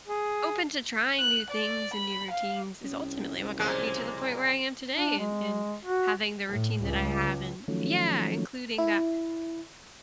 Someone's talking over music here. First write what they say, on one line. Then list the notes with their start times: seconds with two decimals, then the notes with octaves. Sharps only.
open to trying new things and new routines is ultimately what got me to the point where I am today and and having the routine that I have and Yeah, including that
0.08 G#4
1.19 F#6
1.51 D5
1.94 B5
2.31 F5
2.84 C2 C#4
3.59 A#2 C#3 F3 G#3 A#3
4.95 D4
5.18 G#3
5.85 F#4
6.47 A2
6.83 C#2
7.68 D#3 F3 F#3 A3 C#4
8.78 E4